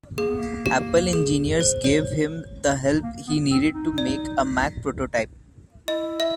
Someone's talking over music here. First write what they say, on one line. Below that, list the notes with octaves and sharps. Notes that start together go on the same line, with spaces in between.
Apple engineers gave him the help he needed to make a Mac prototype.
A#3 G#4
B3
A#3
G4
G#4
C5
C#5
A#3
B3
C4
D#4
D5
E4 D#5
E5